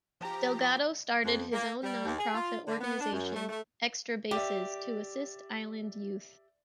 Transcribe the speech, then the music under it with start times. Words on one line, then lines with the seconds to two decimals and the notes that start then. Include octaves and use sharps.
Delgado started his own non-profit organization, "Extra Bases" to assist island youth.
0.21 F3 G4 A#5
1.25 F2
1.52 A#3
1.83 G3
2.06 D#2
2.19 G#4
2.35 F4
2.68 D3
2.81 B3
3.00 D4
3.12 F#2
3.34 A3
3.49 A3
4.31 G4 D5 E5